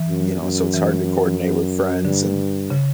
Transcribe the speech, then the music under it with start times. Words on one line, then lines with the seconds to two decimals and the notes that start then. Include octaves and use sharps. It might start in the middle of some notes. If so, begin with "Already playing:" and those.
you know, so it's hard to coordinate with friends and,
Already playing: E3
0.08 F#2
0.42 F#2
0.74 E3
2.05 G2 D3
2.70 C#3